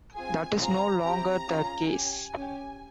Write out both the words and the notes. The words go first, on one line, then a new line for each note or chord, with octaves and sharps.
That is no longer the case.
C4 F4 G#4 G#5
C4 F4 G#4 A#5
C4 E4 G4 A#5
C#4 F4 G#4
C#4 G4 G#5
C#4 G4